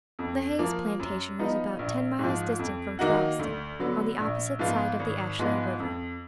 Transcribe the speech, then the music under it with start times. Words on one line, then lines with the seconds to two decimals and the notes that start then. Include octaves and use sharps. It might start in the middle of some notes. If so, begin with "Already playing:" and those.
The Hayes plantation was about ten miles distant from Charleston, on the opposite side of the Ashley River.
0.19 F2
0.59 F3 A#3
0.99 F#2
1.39 F3 B3 D#4
1.79 A#1
2.19 G#2 F3
2.59 F2
2.99 D#3 A#3 D#4 F#4
3.39 D2
3.79 D3 F#3 B3
4.19 A#1
4.59 G#2 F3 B3 F4
5.00 G#1
5.39 G#2 F3 G#3 B3
5.80 F2